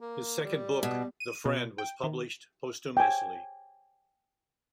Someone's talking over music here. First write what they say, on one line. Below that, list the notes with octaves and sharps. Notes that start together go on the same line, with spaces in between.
His second book, "The Friend", was published posthumously.
A#3
G3
B2
D#7
B2
G5
D#3
G5 G#5